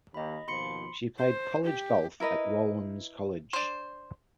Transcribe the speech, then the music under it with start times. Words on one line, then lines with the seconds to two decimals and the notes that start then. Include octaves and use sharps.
She played college golf at Rollins College.
0.14 D#2 D#5 B5
0.48 D#2 B2 F3 B5 C6 C#7
1.18 C5
1.64 G4
2.20 E4 A#4 B4 D#5
3.53 D4 C5